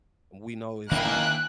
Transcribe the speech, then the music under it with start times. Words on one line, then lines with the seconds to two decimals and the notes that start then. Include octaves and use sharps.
We know it's not
0.91 D#3 A#3 D4 E4 A#4 G5 G#5 F#6